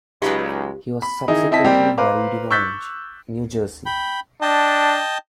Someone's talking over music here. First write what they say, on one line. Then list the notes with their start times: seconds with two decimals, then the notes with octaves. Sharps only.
He was subsequently buried in Orange, New Jersey.
0.22 C#2 F#3 G#3 D#4 G4 B4 D5 F5
1.02 B5
1.28 D#3 D#4 E4 G#4
1.51 C4 E4 D#5 A5 B6
1.64 G3 A#3 C4 G4
1.98 B4 C5 F5 A#5 D6
2.51 C#6 E6 F#6 G6 A6 B6
3.86 G5 B5
4.42 D4 D#5 G5 A5